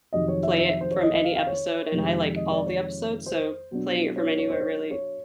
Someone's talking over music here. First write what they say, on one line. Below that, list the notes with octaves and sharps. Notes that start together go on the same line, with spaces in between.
play it from any episode, and I like all the episodes, so playing it from anywhere really,
F2 C3 D#3 F#3 D#5
C#5
E5
E5
E5
C5
C#5
D#5
D#5
F5
F5
C#5
F2 C3 D#3 G#3
D#5
D5
C#5
C5
B2 F#3 B3 D4
C#5
C#5
C5
C#5
C#5